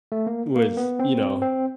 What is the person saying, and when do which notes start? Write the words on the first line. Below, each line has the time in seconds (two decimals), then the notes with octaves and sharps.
with, you know
0.12 A3
0.27 A#3
0.56 A#3
0.77 B3
0.99 C4
1.42 C4